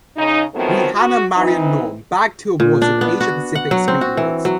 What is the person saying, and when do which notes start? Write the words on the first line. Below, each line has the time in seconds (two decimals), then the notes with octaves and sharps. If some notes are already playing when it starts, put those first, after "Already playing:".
Rehana Maryam Noor bagged two awards at Asia Pacific Screen Awards.
0.17 C#3 D#4
0.54 D#3 F3 F#3 A3 B3 C4
0.95 F#4
1.36 E3 C4 D#4
2.60 A#2
2.82 D4
3.01 B3
3.21 F#4
3.55 F#5
3.71 F#3
3.88 C4
4.01 F#4
4.17 E3
4.45 F#3